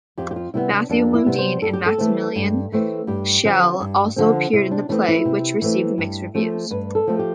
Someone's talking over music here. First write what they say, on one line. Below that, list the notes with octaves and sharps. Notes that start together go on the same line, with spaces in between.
Matthew Modine and Maximilian Schell also appeared in the play, which received mixed reviews.
F2 G4
G4
F4
C3 G3 B3 E4
D4
F2 D4
E4
C3 G3 B3
C5
G2 A4
G4
A4
E3 A3 C4
G2
E3 A3 C4
G2 G4
D3 F3 C4
G2
D3 F3 C4
C3 E4
D4
E3 A3 C4 D4
E4
C3
E3 A3 C4
G2
F3 A3 C4
G2 B4
A4
F3 A3 C4
G4